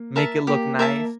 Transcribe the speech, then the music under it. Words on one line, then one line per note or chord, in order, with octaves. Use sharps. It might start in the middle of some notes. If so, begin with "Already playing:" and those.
make it look nice.
Already playing: A#3
A#4 E5 A5
A#3 G4
A#3 A#4 E5 A5